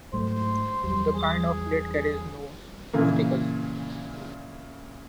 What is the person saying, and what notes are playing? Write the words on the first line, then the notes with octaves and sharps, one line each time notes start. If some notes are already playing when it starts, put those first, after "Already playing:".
This kind of plate carries no stickers.
G#2 F#3 A3 C5
E2 F#3 G3
G#4
A#2 C#3 E3 A#3